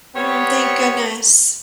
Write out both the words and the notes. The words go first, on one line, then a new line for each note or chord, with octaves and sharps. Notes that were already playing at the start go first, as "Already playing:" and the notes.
Mm, thank goodness.
G3 B3 C4 C#5